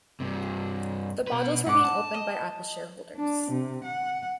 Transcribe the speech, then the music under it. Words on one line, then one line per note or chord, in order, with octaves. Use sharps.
The bottles were being opened by Apple shareholders.
G2 C3
B2 B4
G#2 F#5 D6
A5
D#5
D4
C3
F#5